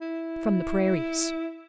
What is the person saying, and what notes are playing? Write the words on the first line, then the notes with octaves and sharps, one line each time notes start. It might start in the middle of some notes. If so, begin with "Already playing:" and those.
From the prairies.
E4